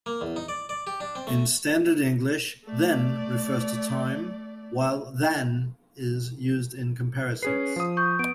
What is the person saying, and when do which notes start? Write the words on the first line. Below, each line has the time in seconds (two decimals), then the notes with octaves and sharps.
In standard English, "then" refers to time, while "than" is used in comparisons.
0.06 A#3
0.21 E2
0.36 D#4
0.49 D5
0.69 D5
0.87 G4
1.00 D4
1.15 C4
1.27 A3
2.65 A3 D5
7.42 C#4 G#4 B4 C7
7.76 F3 D#6
7.97 C#6 G6
8.19 B3 D7